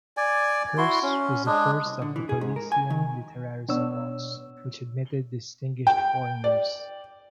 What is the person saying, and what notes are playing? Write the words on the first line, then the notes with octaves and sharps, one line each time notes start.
Hers was the first of the Parisian literary salons which admitted distinguished foreigners.
D5 G#5
E4 F#4 C6
C#4
G#3 D4
C2
D3
E3
G#4
G#2
A#4
G#5
D#3
B2 B3 D4 C#5 E6
G5
D5